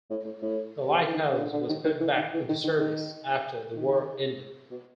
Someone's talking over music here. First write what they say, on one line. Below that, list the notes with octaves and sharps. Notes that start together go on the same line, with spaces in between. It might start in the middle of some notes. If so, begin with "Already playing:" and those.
The lighthouse was put back into service after the war ended.
A2
A2
A2
C3
E3
D#3
C#3
D3
D3
D#3
D#3
E3
D#3
E3
D#3
D#3
D#3
D#3
B2